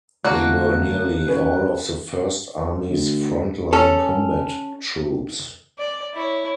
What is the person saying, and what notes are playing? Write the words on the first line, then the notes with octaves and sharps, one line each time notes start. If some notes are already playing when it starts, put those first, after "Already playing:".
They were nearly all of the First Army's front-line combat troops.
D2 A3 A#3 F#4 F#6
F#2 C#4 B4 C#5
D2
C#4 A4
D5
E4 C#5